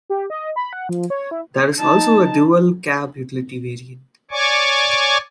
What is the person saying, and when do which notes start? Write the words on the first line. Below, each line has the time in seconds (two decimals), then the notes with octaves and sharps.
There is also a Dual Cab Utility variant.
0.10 G4
0.30 D#5
0.56 B5
0.73 F#5
0.89 F3
1.10 C#5
1.31 E4
1.79 D#4 A5
4.31 C#5 D5 G#5 C#6 D6